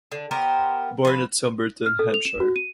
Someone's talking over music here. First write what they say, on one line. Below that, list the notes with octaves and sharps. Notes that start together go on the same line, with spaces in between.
Born at Soberton, Hampshire.
D3
B3 G4 A#4 C5
F3 B4
F6
A4
F7
E7
F#4
D#7